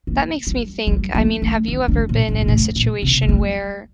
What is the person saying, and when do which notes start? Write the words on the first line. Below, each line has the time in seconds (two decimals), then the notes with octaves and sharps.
that makes me think, I mean, have you ever been in a situation where
0.07 A#3
0.47 G3
0.87 G3
1.15 A#3
1.42 A3
1.68 D#3
1.88 D3
2.09 A#2
2.29 A2
2.42 A#2
2.48 A2
2.76 A#2
3.02 C3
3.22 A3
3.29 G3